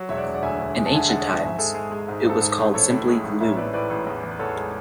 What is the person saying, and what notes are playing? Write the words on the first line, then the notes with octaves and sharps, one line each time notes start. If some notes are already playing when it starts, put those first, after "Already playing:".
In ancient times it was called simply "Loon".
Already playing: F#3
E1 C#5 E5
D5 F#5
E1
D5 F#5
D2 E5 G#5
E1
G#3 G#5
A5
D3 E5 G#5
G#3 F#5 A5
G#3
G#1 E5 G#5
G#3 A4
G#3 G#4
G#3
G#2
G#1 A4
G#2 G#4
G#1
A1 A4 C#5
A2
G#3
A1
A1 C#5 E5
A2 B4 D5
A2 B4 D5
A1
E2
E2
B4
E2 A4 C#5
G#3